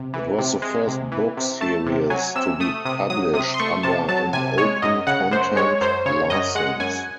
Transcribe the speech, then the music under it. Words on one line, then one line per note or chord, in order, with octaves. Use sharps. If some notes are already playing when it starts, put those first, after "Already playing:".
It was the first book series to be published under an open content license.
Already playing: C3
E3
C3
G#3
C3
E3
C3
A3 A5
C3
F#3 G#5
C3 E6
A3 D#6
C3 D#6
F#3 D#6
C3 D#6
C6
A3 C#6
C3 A5
F#3 A5
C3 G#5
G#3 C#5
F#2 D#5
C#3 F#5
F#2 C5
G#3 C#5
F#2 C5
C#3 C#5
F#2 D#5
G#3 F#5
F#2 G#5